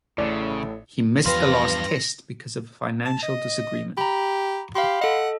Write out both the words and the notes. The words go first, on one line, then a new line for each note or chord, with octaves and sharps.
He missed the last Test because of a financial disagreement.
A1 A2 C#3 D5
E2 G2 F3 B3 B4 F5 C6 A#6
A5
D#5
G4 A#5 B5
G4 F5 B5 C6
A4 D#5 F#5